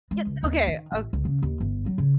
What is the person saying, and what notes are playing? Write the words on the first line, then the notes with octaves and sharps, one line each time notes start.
Ye okay. O
G#3
C#2
D#2
D#3
A1
C#2
C#3
D#2
G1
F#3
C#3